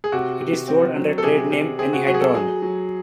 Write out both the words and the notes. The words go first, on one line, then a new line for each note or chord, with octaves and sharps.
It is sold under the trade name anhydrone.
G#4
C3 F#4
C3
C4
F#3
A4
C3 G#4
C3
C4 G#4
F#4
F#3 F#4
G#4
A4
F#3 G#4
F#3